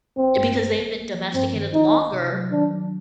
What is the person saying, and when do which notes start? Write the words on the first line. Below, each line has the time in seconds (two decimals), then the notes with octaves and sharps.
because they've been domesticated longer,
0.17 G#1 C4
0.37 G2
0.56 A#1
0.76 A#1
0.95 A#3
1.14 F3
1.34 G2 C4
1.54 D#3
1.74 G#1 D#4
1.93 G#1
2.13 C3
2.32 F#3
2.52 D#3 D4
2.71 F#3